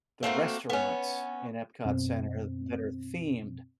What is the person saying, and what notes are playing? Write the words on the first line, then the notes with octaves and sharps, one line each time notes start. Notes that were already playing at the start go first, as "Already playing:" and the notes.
The restaurants in EPCOT Center that are themed.
A3 A#3 C4 F#4
B3 C#4
F#2 B2 C4